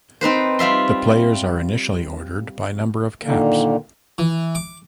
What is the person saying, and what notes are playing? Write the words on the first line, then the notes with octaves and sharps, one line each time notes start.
The players are initially ordered by number of caps.
C4 D#4 B4 C5
G3 F4 E5 C6
A#2 D3 D#3 A#3
E3
D6